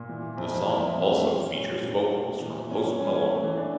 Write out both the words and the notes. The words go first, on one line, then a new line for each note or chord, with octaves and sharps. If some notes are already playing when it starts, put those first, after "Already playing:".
The song also features vocals from Post Malone.
Already playing: A#2
E3
E3
F2
F2
E4
F2
F2
A3
G3
C#4
A#2
G3
A#2
G3
G3
A#2
E3
E3
C#4
E3
C#4
C#4
A3
E3
D4